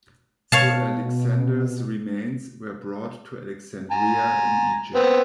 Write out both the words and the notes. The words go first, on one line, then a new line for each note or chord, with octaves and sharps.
So Alexander's remains were brought to Alexandria in Egypt.
B2 C#5 F5 A5
G#5 A#5
B3 C4